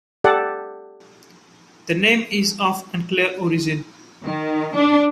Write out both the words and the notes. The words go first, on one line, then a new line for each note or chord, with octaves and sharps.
The name is of unclear origin.
G4 A4 D5 F#5
D#3
D4